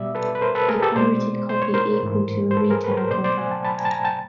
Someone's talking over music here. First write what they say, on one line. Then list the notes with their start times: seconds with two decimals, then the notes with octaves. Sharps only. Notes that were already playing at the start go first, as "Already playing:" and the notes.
A pirated copy equal to a retail copy.
Already playing: B2 G3 D5 E5
0.15 A4 B4
0.35 B4
0.42 A#4 C5
0.55 A4 B4
0.68 G#4 A#4
0.82 G4 A4
0.95 B2 G#3 C5 D5
1.49 C5
1.62 C#5
1.74 A#4 C5
2.03 G#2 E3 A3
2.51 C5
2.57 A4 B4
2.71 G#4 A#4
2.84 A4 B4
2.92 C#5
2.97 A#4 C5
3.11 B2 F#3 A3 C5 D5
3.24 C5 D5
3.37 F#5 G#5
3.51 G5 A5
3.65 A5 B5
3.78 G#5 A#5
3.85 A5
3.91 G#5 A#5
4.04 G5 A5